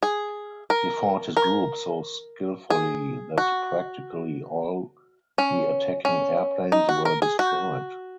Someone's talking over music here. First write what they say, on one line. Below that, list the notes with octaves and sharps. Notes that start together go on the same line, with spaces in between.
He fought his group so skillfully that practically all the attacking airplanes were destroyed.
G#4
A#4
A#4
G#4
F#4
C#4
C#4
D#4
F#4
A#4
G#4
F#4